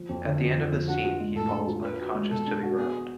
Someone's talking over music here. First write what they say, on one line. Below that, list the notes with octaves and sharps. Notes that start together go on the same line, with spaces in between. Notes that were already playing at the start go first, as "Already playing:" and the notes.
At the end of the scene he falls unconscious to the ground.
Already playing: F3
F2
D3
F2
F3
F2
D4 F#4
F4
G#3
A2 A4
D4
F4
D4 B4
F#4
G#3
B2 A4
D4
F#4
B3 G#4